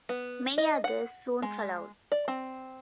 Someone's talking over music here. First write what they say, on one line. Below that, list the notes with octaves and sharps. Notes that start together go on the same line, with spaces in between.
Many others soon followed.
B3
D#5
F#5
G#3
D5
C4